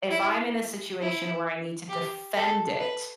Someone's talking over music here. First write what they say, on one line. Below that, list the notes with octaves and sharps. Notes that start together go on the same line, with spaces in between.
If I'm in a situation where I need to defend it,
E4
E4
G4
A4
B4